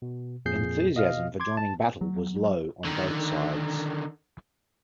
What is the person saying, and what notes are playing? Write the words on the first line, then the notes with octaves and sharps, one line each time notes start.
Enthusiasm for joining battle was low on both sides.
B2
F2 A#2 G#4 G6 C7
B2 D#5 F5 F6
C6 D6 G#6
A5
F#3
D3 D#3